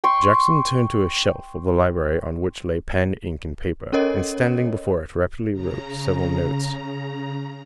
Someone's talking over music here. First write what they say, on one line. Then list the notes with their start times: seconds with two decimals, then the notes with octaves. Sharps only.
Jackson turned to a shelf of the library on which lay pen, ink and paper, and standing before it rapidly wrote several notes.
0.04 G5 C6 C#6
3.93 C#4 A4 A#4 C#5 D#5
5.52 C#3 A#5